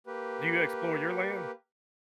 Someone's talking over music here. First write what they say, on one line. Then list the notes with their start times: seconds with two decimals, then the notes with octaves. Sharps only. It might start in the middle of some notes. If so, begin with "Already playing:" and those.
Do you explore your land?
0.07 A#3 G4 B4